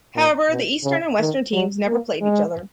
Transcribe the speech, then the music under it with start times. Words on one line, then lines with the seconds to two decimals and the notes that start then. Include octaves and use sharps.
However, the eastern and western teams never played each other.
0.15 A#2
0.50 B2
0.84 C#3
1.19 D#3
1.53 F#3
1.87 A#3
2.22 G#3